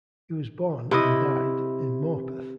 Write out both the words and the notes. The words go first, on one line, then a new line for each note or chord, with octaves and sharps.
He was born, and died, in Morpeth.
C3 E4 D#5